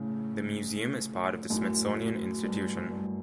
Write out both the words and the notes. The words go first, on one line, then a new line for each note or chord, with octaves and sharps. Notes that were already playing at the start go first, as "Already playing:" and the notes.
The museum is part of the Smithsonian Institution.
Already playing: A2 C#3
F#2 A2
G2
G2